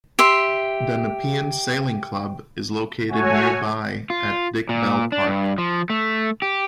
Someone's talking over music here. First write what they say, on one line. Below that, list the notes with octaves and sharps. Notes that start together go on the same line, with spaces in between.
The Nepean Sailing Club is located nearby at Dick Bell Park.
G4 E5 C6
A3 F#4 C#5 G#5
F4
A#2
D4
G2
F3
A3
G4